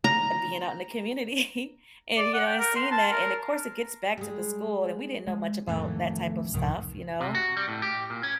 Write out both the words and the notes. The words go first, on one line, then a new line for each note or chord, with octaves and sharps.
being out in the community and, you know, and seeing that, and of course it gets back to the school and we didn't know much about that type of stuff, you know,
A#5
D5
F#5
G5
A#4
C6
A5
A#4
G3 G#3
G#3
F2 A2 D#3 E3 A3 B3
C2 G#2 D#3 F3
C3
F#4
G3
A2
G4
A#2
C#4